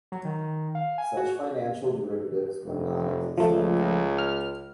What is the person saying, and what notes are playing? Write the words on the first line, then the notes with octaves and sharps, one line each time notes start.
Such financial derivatives were non-existent.
F#3
D#3
D#3
F5
G#5
F#4
F1
C#2 F3 A3
F6